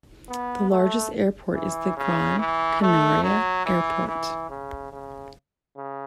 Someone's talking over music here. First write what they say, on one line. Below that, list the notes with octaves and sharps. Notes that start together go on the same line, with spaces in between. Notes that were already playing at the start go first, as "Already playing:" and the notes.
The largest airport is the Gran Canaria Airport.
B3
A3
E3
C#3
E3
A3
F#3
E3
E3
C#3
C#3
C#3